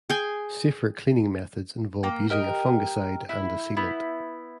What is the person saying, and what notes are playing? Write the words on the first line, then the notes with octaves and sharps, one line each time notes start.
Safer cleaning methods involve using a fungicide and a sealant.
G#4 G5 G#5
A#3 G5
G4 A#4 D#5 G5
E4
B3 E4